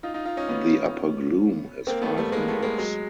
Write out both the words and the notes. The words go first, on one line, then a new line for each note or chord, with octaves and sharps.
The upper glume has five nerves.
D#4 F4
D#4 F4
D#4 F4
C#4 D#4
B3 C#4
A#3 C4
A3 B3
G3 A3
G#3 A#3
A3 B3
G#3 A#3
F#3 G#3